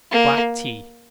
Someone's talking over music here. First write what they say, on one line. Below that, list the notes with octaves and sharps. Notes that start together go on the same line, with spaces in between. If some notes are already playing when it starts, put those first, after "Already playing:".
Black Tea.
A#3